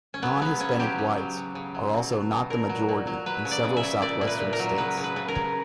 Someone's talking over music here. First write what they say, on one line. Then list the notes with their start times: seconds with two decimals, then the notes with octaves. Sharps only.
Non-Hispanic whites are also not the majority in several southwestern states.
0.14 C#4
0.22 F#3 B3
0.42 C#3 B3
0.60 C#3 C#4
0.79 F#3 G4
0.98 C#3
1.17 F#3
1.37 C#3
1.55 C#3
1.74 F#3
1.94 B2
2.12 F#3
2.31 B2
2.50 A#2 A#4
2.69 F#3
2.89 A#2
3.07 F#3
3.26 F#3 B4
3.45 C#3
3.51 D5
3.64 C#3
3.77 E5
3.83 C#3
4.02 A#2 D5
4.21 A#2
4.27 B4
4.40 A#2
4.53 A#4
4.59 F#3
4.78 C#3 B4
4.97 C#3
5.04 B4
5.16 C#3
5.28 A#4
5.35 C#3